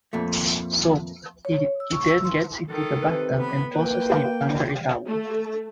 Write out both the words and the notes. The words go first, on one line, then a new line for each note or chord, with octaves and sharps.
Soaked, he then gets into the bathtub and falls asleep under a towel.
F2 A#2 A3
C#5
E6
C#6
E6
C6
D#3 A4
C3 B4
B3 B5
A#3 B4 G5
A3